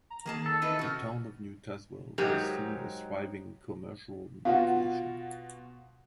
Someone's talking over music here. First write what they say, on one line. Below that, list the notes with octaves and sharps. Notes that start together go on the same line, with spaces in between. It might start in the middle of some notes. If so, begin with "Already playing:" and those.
The town of New Tazewell was soon a thriving commercial location.
A#5
D#3 A#3 G#4 A5
A4
E3 D#4 B4
C#3 F#4 F6
G#2 F#3 D#4 G4 A#4 A#5
B2 F4 F#4 F5 F#5